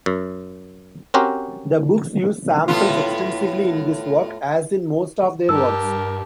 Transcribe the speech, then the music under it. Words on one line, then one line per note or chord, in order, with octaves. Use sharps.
The Books use samples extensively in this work, as in most of their works.
F#2
C4 C#4 F#4 G4 A#4 C5
A2 B3 F4
G2 G4 A#4 A5 E6